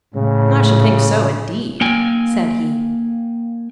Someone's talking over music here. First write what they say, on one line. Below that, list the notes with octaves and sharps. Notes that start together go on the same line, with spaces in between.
"I should think so, indeed," said he.
A2 C#3
A#3 G5 G#5